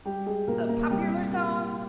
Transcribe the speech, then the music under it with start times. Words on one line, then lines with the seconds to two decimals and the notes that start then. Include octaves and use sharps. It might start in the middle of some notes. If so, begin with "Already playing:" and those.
"A popular song?"
0.05 G3 G4
0.26 G#3 G#4
0.47 A#2 A#3 A#4
0.69 A#3 A#4
0.90 C3 G3 G4
1.32 A#3